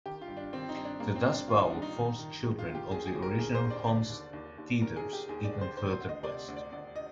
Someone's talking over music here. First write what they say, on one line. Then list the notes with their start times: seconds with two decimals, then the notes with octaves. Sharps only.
The Dust Bowl forced children of the original homesteaders even further west.
0.06 D#3 G4
0.21 F4
0.28 G2
0.37 D4
0.53 D#3 C4
0.69 D#4
0.76 G2
0.85 D4
1.00 G2 A#3
1.16 C4
1.24 G2
1.32 D4
1.48 D#3 F4
1.59 D#4
1.70 G2 D4
1.82 D#4
1.96 D#3
2.19 D#3
2.43 D#3 G#3
2.59 F4
2.68 D#3
2.75 G4
2.91 D#2 G#4
3.07 G#4
3.14 D#2
3.22 A#4
3.39 D#2 G#4
3.55 C5
3.62 D#2
3.70 D5
3.86 D3 D5
4.10 D#2
4.33 D#2
4.58 D#2
4.82 D#2 A#4
4.96 G#4
5.05 D#2
5.13 G4
5.29 D#2 G#4
5.44 D5
5.53 D3
5.61 C5
5.77 D#3 C5
5.93 C5
6.01 D2
6.09 D#5
6.23 C3 D5
6.49 D2
6.56 D5
6.72 D2 D5
6.96 D#5